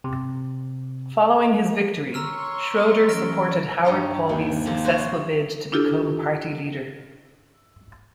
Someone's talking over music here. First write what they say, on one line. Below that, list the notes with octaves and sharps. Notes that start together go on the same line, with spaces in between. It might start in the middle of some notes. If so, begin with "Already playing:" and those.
Following his victory, Schroeder supported Howard Pawley's successful bid to become party leader.
C3
A#4
C#5 A#5 C6 C#6 E6 F6
E3 F#3 C#4 F6 A#6 D7
G2 D#4 C#5
D#2 C3
C3 F3
F#4 C5
D4 E4 F4 G4 A4